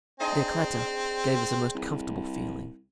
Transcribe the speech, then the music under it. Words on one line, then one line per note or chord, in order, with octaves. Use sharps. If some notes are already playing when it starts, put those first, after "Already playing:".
Their clatter gave us a most comfortable feeling.
C4 D4 G#4 D#5
C2